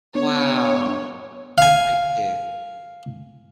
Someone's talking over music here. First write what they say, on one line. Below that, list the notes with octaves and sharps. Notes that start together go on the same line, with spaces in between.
Wow, what a great kid.
B3 D4 C#5
F5 G#5